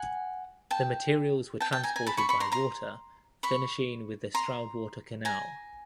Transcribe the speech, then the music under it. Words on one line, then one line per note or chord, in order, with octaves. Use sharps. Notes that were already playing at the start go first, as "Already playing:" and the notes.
The materials were transported by water finishing with the Stroudwater Canal.
Already playing: F#5 G#5
G5 A5
G5 A5
G5 A5
G#5 A#5
G#5 A#5
A5 B5
B5 C#6
B5 C#6
A#5 C6
A#5 C6
B5 C#6
A#5 C6
G#5 A#5